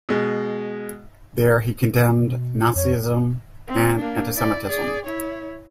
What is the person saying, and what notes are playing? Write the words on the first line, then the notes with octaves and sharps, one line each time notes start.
There, he condemned Nazism and antisemitism.
B2 G#3
B2
F4
F2 C#5
C4
A#3 D4
E4 D5
G#4 D5
E4 C#5